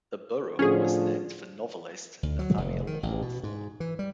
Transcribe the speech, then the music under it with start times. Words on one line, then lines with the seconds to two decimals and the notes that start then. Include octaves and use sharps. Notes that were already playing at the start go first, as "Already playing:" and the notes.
The borough was named for novelist Nathaniel Hawthorne.
0.59 A2 D3 F3 C#4 G#4
2.23 D2
2.39 F#3
2.57 F1
2.87 D#3
3.03 A1
3.22 B2
3.43 G#2
3.80 E3
3.99 G3